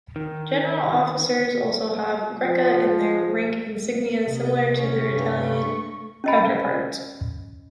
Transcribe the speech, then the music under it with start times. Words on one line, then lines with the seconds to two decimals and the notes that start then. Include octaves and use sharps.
General officers also have Greca in their rank insignia similar to their Italian counterparts.
0.16 D#3
2.42 F3
4.27 C3 D#5
4.76 C#4
5.09 G2
5.55 C#6
6.24 C#4 D#5 B5